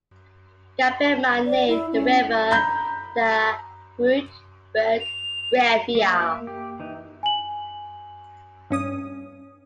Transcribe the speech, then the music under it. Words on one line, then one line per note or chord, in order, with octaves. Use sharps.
Gabbema named the river the 'Groot Berg Rivier'.
D5
E4
C#4
A#5 B5 G6
F7
A#3 E5
G4
E3 D#4
G#5 F#7
G2 C#4 D#6